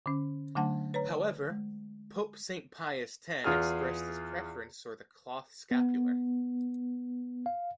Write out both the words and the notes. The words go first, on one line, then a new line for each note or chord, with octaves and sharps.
However, Pope Saint Pius X expressed his preference for the cloth scapular.
D3 C#4
D3 F#3 A3 D4 F#5 A5
B4 C#5 A#5
G#3
E2 F4 G#4 F6
B3
F5